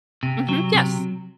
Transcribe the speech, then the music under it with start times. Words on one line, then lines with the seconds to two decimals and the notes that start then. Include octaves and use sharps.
Mhm, yes.
0.23 C3
0.49 F#3
0.74 C3